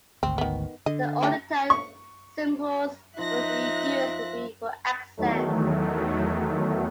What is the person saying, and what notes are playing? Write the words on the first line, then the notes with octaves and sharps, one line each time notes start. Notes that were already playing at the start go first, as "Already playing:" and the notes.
The only time cymbals would be used would be for accent.
G#1 D2 C4
D#3 B3
D3 D#5
A3 D#4 G4
C#6
F3 D#4 E5 F#6 A#6
E2 D#3 F#3 A3